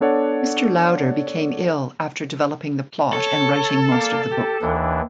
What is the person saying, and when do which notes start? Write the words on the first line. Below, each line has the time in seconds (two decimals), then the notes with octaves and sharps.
Mr. Lowder became ill after developing the plot and writing most of the book.
0.01 B3 D4 A4 C#5 D5 F#5
3.13 A4 C#5
3.91 A#3 D5 F5
4.31 G4 A5
4.62 D#2 E3 D4